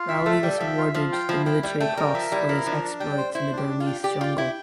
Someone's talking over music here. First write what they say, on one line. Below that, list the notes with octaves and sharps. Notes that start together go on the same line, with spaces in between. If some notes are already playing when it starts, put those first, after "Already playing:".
Rowley was awarded the Military Cross for his exploits in the Burmese jungle.
Already playing: F4
E4 E5
A3 A4
G3 G5
F3 E5
F4
F3 F4
G5
F3 E4
F3 G5
G3 G5
A3 G5
G3 A#4
F3 E5
G3 E4
F3 A#4
F3 D4
D4
G3 G5
C5
E4 C5
D4
G4
D4
F4
G5
G4 D5
F4 G5
E4 G5